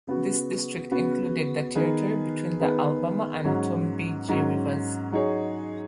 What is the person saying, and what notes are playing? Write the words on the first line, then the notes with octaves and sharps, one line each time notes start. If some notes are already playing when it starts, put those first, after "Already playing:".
This district included the territory between the Alabama and Tombigbee Rivers.
C#3 B3 F#4
C#3 B3 F#4
D#3 B3 G#4 B4
D#3 B3 G#4 B4
G#2 F#3 C#4
G#2 F#3 C#4
F#3 D#4 G#4 C#5